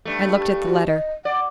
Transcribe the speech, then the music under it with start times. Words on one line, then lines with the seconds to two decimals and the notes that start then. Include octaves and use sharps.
I looked at the letter.
0.05 G2 A3
0.66 F#4
0.87 D#5
1.25 D5 F#5